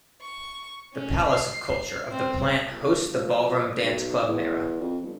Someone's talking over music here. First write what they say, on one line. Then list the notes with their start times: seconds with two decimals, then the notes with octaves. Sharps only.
The Palace of Culture of the plant hosts the ballroom Dance Club Mara.
0.22 C#6
0.94 C#4
1.29 C7
2.11 C4
2.70 G1
3.12 F3
3.81 B1
4.27 E2
4.81 F2
5.03 G1